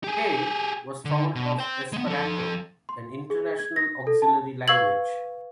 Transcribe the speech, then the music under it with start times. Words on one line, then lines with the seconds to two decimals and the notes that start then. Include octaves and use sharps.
Pei was fond of Esperanto, an international auxiliary language.
0.04 G4 G#4
1.05 D3
1.35 B2
1.59 C5 G5
1.93 G#3 B3
2.07 F3 A4
2.89 C6
3.30 G#4
3.59 G#6
3.76 A#6
4.07 A4
4.22 A5
4.68 B4 F5 C#6 E6 G#6 F#7